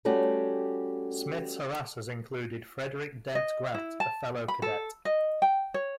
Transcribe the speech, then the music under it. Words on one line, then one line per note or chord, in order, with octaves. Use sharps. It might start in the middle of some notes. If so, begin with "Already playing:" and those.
Smith's harassers included Frederick Dent Grant, a fellow cadet.
G3 A3 C#4 F#4 G4
D#5
E4
A5
B5
A4
D#5
G5
C#5